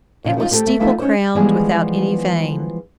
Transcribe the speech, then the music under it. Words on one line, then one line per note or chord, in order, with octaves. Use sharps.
It was steeple-crowned, without any vane.
A#2 C#3 F3
D#3 F3 A#3 D4 D#4 F4
A3 C4 G4 A4
A3
E3 F3 A3 B3 D#4
C#4 D#4 C5
E3 F3 G3 G#3 B3 G#4